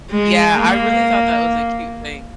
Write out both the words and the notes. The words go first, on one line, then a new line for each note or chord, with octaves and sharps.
Yeah, I really thought that was a cute thing.
G#3
A#3